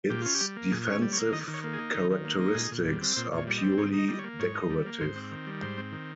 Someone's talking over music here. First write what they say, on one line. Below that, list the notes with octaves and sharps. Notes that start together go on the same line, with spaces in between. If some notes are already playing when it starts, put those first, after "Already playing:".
Its defensive characteristics are purely decorative.
A#2 G4
C#4 F4
G4
G3
A#3
A#2 G#4
C#4
C#5
G3
C#5
A#3
D#3 D#5
D#3
C#5
A#3
G#4
D#4
D#3
D#3
A#3
D#4
A#2 G#4
A#2
G3
C4
A#2 C5
A#2
C#5
G3
D#5
C4
G#2 C#5
D#4
D#5
G3
D#5
C#5
A#3
G#2 C#5
D#4
G3
A#3
G#2 C5
C4
D#3
G3
G#2 C5
C4
D#3